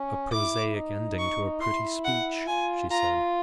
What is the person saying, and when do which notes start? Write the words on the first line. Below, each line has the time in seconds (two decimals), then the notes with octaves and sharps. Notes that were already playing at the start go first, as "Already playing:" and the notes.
"A prosaic ending to a pretty speech," she said.
Already playing: C#4
0.32 E4 D6
0.75 D#4
1.19 C#6
1.61 E4 C6
2.05 F#5
2.47 F4 G#5
2.91 F4 A#5